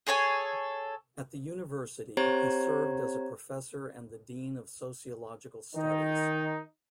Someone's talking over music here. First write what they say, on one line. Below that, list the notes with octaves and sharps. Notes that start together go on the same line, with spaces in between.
At the university, he served as a professor and the dean of sociological studies.
G#4 A4 C#5 G#5
C4 G4 C5 C#5 A#5 G#6
D#3 D#4